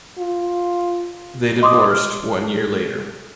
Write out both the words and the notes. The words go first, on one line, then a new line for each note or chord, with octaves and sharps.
They divorced one year later.
F4
D#5 C6 D6 D#6
F6